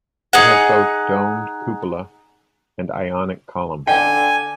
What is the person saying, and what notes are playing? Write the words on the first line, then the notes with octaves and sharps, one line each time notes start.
It has both domed cupola and Ionic columns.
D#4 G#4 F#5
D3 G5 G#5